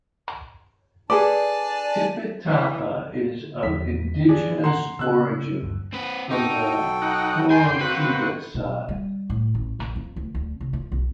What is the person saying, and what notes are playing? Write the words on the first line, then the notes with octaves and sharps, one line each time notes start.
Tipitapa is of indigenous origin, from the Chorotega side.
D4 G#4 A4 B4 D5 G#5 A5 D6
E3
E2 F3 B3 B6
E3 D4 G#4
F#5 A#5 C6
C#3 E6 F#6
G1 D2 G2
C4 B4
D#4 F#4 A4 G5
B1
D#4 F#5
F2 G5 G#5 C6
D#3 A#3 C4 F#4 B4
B2
G3
A2
A1
A#1
F2
D2
D2
C3
F4
B1